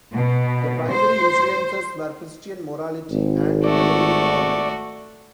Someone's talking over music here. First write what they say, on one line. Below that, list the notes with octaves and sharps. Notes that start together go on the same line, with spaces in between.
The primary influences were Christian morality and melodic harmony.
B2
C5
G#1
A3 F#4 D5